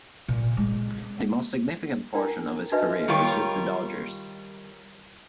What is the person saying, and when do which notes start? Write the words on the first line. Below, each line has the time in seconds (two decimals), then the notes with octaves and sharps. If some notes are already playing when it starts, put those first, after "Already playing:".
The most significant portion of his career was with the Dodgers.
0.28 A#2
0.57 G#3
2.14 D4 E4 A#4 G5
2.72 D4 D#4 F#4 B4 D#5 E5
3.08 D#3 G3 F4 A#4 C#5